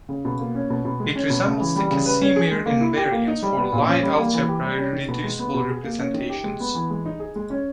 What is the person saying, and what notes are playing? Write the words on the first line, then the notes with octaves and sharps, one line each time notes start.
It resembles the Casimir invariants for Lie algebra irreducible representations.
C#3
B2
A#3
C#4
B2
B2
G#3
C#4
B2
C#3
E3
G3
C#3
B4
C#4
G#4
G#3
A#3
E4
G4
A#3
D#4
G3
B3
A#2
C#4
G3
A#3
E3
G4
G3
C#4
D#3
B2
G#3
B3
B2
G#4
A#3
C#4
D#3
G4
G#3
B3
E3
G#3
D#4
G#4
G#3
C#4